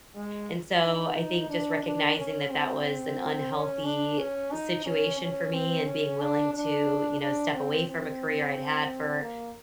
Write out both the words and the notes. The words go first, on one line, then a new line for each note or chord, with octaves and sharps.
And so, I think just recognizing that that was an unhealthy situation for me, and being willing to, you know, step away from a career I'd had for
G#3
D#4
D4
D4
C#4
C4
C#4
D4
C#4
D#4
C#4
C#4
C4
C#4
D4
D4
D4
C4
C4
A#3